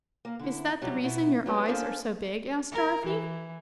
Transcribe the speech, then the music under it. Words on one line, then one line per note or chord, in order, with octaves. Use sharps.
"Is that the reason your eyes are so big?" asked Dorothy.
A#3
D3 E4
C3 F#3 G3
B2 E4
F#3 B3 G4
A#3 C#4 D4 A4 A#4 C5
A#4
E3